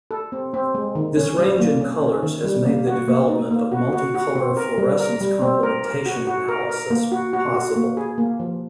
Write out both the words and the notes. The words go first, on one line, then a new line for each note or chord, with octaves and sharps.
This range in colours has made the development of multicolour fluorescence complementation analysis possible.
A4
C4
C4
G#3
D#3
C#4
G3
A#3
C#4
C#4
D#3
G3
A#3
F#4
A#3
D#4
A#3
F#4
F#4
F#4
C4
A#4
G3
A#4
G3
C4
A#4
A#4
F#4
F#4
A#4
A#4
A#3
F#4
F#4
F#4
A#3
G#4
A#3
F3